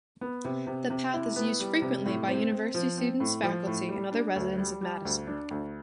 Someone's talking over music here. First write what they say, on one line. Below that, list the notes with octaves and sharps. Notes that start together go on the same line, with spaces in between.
The path is used frequently by university students, faculty, and other residents of Madison.
B3
C3
C3
C3
E4
B3
G3
C3
A2
C4
C4
F3
C4
A2
F3
A2
G3
D4
D2
G3
G3
D2
D4
D2